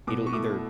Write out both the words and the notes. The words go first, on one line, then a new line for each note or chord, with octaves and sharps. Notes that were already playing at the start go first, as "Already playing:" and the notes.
it'll either
B2 D6
C#6
A3 E4 D6